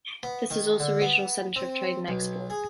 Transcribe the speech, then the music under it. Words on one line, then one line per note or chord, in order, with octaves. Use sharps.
This was also a regional center of Trade and Export.
B3
D#3
D3
B3
C4
B1
G#4